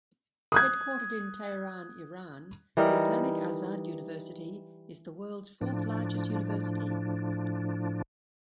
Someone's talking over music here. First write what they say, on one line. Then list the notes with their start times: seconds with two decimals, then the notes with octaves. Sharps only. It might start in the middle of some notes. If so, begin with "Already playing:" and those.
Headquartered in Tehran, Iran, the Islamic Azad University is the world's fourth-largest university.
0.52 D#6 F#6 G#6
2.77 E3 G3 D#4 A#4
5.61 A2 F3 D4